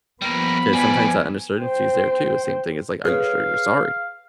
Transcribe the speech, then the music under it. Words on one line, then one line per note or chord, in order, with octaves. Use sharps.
'cause sometimes that uncertainty is there too, same thing is like, are you sure you're sorry?
F3 G3 A#3 B3 B5
F2 G3 G#5
C5 G5
G#4 B4 C#5 F5